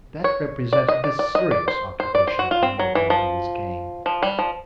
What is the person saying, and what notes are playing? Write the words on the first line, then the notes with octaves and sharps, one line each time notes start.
That represented the serious occupation of Hondo Bill and his gang.
C#5
D5
D#5
D5
D5
D#5
D5
C5
C5
D5
C5
F#4
F4
C4
F#3
E3
F3
F3
G3
F3